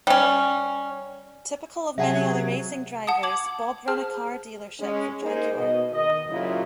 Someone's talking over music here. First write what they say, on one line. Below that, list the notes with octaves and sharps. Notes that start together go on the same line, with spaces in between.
Typical of many other racing drivers, Bob ran a car dealership for Jaguar.
G3 C#4
C3 F#3 G#4 E5 F#5 A5
F#5 A5 D#6
D6 G#6 F#7
G#4 C5 A5 F6
G#3 C#4
A#3 D#4 G#4 C5
B2 D#5
D#3 D#5
A#2 C#3 F#3 E4 F4